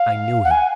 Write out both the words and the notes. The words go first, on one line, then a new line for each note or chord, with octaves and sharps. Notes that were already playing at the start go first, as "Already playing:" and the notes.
I knew him.
Already playing: F5
F#5
G#5